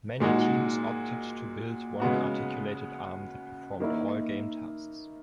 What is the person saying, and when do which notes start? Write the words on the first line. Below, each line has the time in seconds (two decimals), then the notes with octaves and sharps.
Many teams opted to build one articulated arm that performed all game tasks.
0.20 A#2 G#3 D#4 F#4
2.00 C#3 G#3 B3 F#4
3.80 D#3 A#3 E4